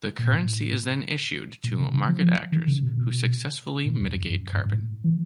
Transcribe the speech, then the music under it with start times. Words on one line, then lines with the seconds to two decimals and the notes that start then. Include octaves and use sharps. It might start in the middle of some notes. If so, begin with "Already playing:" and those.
The currency is then issued to market actors who successfully mitigate carbon.
0.19 A#2
0.31 A2
1.64 A#2
1.79 C3
1.94 C#3
2.08 F3
2.52 D#3
2.67 C#3
2.83 B2
2.97 B2
3.86 A#2
4.01 E2
4.15 F2
4.30 F#2
4.53 G2
4.66 G#2
4.74 A2
5.04 E3